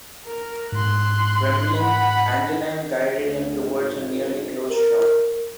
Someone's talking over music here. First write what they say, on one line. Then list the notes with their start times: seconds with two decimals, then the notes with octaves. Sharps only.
Trembling, Angeline guided him towards a nearly closed shop.
0.25 A#4
0.72 G#2 C6 F#6
1.77 F#5 B5
3.19 D2
3.61 G#1
3.96 G#1
4.70 A#4